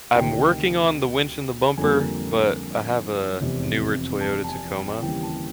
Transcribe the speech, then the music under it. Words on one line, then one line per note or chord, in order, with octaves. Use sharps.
I'm working on the winch and the bumper, but I have a newer Toyota Tacoma,
D2 C3 D#3 G5
F2 D3 G3 A#3 G#5
F1 E2 C3
A5
A5
G#5
G5
D#2 C#3 E3 G3 G5
A5